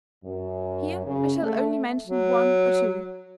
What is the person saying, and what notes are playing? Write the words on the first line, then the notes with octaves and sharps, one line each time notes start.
Here I shall only mention one or two.
F#2
C#3
A3
F#3